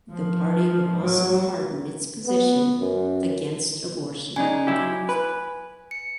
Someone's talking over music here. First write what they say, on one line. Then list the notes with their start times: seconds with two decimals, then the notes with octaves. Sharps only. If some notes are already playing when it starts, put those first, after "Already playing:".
The party would also harden its position against abortion.
0.12 F3
1.00 F#3
2.26 B3
2.80 F#2
4.36 C#3 D4 D#4 G#5
4.67 F#3 E4 G4
5.09 B4
5.91 C#7